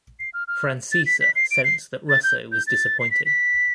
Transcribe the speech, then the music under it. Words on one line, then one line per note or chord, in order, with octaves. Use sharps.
Francesa sensed that Russo was disappointed.
C7
F6
F6
A6
B6
B6
C7
D7
C7
A6
G6
G6
A6
C7
B6
B6